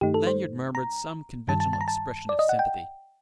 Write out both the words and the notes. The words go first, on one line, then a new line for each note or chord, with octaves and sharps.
Lanyard murmured some conventional expression of sympathy.
G2 D#3 A3 D#4 G4
A4
C5
A#5
G2 D#3 G3 A5
A5
A5
A#5
A5
D5
D#5
F#5
G5